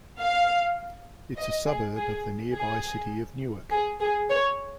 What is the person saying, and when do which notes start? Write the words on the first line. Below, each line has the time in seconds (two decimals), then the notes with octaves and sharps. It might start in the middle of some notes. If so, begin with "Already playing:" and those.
It's a suburb of the nearby city of Newark.
0.20 F5
1.37 D#5
1.67 G#4
1.96 G#4
2.55 G#4
3.72 G#4
4.01 G#4
4.30 C#5